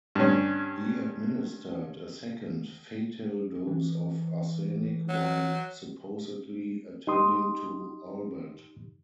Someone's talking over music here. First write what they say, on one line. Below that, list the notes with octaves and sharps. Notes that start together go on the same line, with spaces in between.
He administered a second, fatal dose of arsenic while supposedly attending to Albert.
G2 C#4
E3
F#3
D#4 G4 C6 D#6